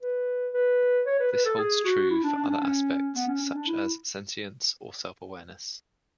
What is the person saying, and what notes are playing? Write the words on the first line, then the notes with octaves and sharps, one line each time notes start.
This holds true for other aspects, such as sentience or self-awareness.
B4
B4
C#5
B4
B4
A4
G#4
F#4
E4
D4
D4
C#4
D4
C#4
B3
C#4
C#4
D4
E4